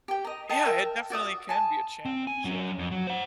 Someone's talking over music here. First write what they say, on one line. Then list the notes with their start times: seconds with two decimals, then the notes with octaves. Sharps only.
Yeah, it definitely can be a challenge, yeah.
0.08 G4 G5
0.25 D#5 A#5
0.49 D#5 G5 A5
0.65 A#4 E5 G5
1.10 F#4 D5 E5 D#6
1.49 G#5 A5
2.05 C4
2.27 G#5
2.45 F#3 C#4
2.79 F2
2.91 F#3
3.07 C5 F#5